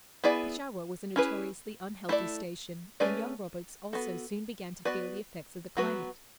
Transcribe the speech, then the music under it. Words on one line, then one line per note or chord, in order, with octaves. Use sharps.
Peshawar was a notoriously unhealthy station, and young Roberts also soon began to feel the effects of the climate.
B3 E4 G#4 D5
C#4 E4 G#4 B4
A3 E4 A4 D5
A3 C#4 G#4 B4 D5
B3 F#4 A4
B3 F#4 B4 D5
F#3 B3 F#4 B4